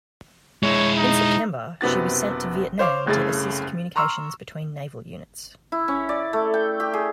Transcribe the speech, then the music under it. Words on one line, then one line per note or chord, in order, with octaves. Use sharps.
In September, she was sent to Vietnam to assist communications between naval units.
G#3 E4 C#5
D#4
F#1 C3 B3 F#4 A6
C5 C#5 F5 D6
F#1 C2 C#3 A3 A6
A#5 C6 C#6 E6 F6
E4
C#4
D5
A3
G5
G4
G#4